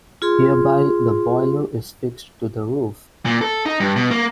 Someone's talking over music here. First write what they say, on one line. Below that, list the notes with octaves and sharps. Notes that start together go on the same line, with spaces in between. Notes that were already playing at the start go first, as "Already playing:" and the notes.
Hereby the boiler is fixed to the roof.
F4 G#4 C6
A#2
A4
D#4
G2
B2
A#3